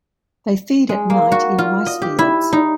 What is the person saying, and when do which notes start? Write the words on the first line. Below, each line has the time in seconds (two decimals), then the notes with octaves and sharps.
They feed at night in rice fields.
0.89 G#3
1.10 A#3
1.32 F#4
1.58 F4
1.86 D#5
2.02 G4
2.19 E4
2.53 D#4